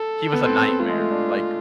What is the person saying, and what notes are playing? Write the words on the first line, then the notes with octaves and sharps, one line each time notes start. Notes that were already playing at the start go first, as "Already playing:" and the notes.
he was a nightmare, like,
Already playing: A4
B3
C4
C4
B3
A3 F4
G#3
A3
D4